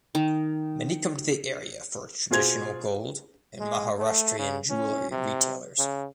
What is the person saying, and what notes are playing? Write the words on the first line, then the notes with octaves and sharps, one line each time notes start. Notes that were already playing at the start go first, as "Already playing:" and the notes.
Many come to the area for its traditional gold and Maharashtrian jewelry retailers.
D#3
B2 F4 G#4 C5 G#6 F7
G#3
A3
C#3
C#4
C3
C#3